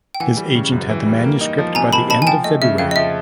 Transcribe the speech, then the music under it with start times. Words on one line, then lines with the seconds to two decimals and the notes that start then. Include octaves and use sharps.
His agent had the manuscript by the end of February.
0.15 G5
0.20 E3 F#5 G#5
0.37 G3
0.55 C#3
0.72 F#2
0.90 E3
1.06 G3
1.24 A#3
1.41 D#4
1.58 F3
1.75 C3 G#5 A#5
1.93 A#3 A5 B5
2.10 D#4 A5 B5
2.22 G#5
2.27 F3 G5 A5
2.44 A3 D#5
2.62 C#3 E5
2.78 F2 F5
2.91 D#5
2.96 F3 E5